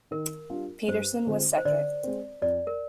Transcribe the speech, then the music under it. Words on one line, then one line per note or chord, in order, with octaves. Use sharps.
Peterson was second.
D#3 A#4
G3 D4 F4
G2 C5
D3 G#3 C4 F4
C5
D3 D5
G#3 C4
F2 D5
A#4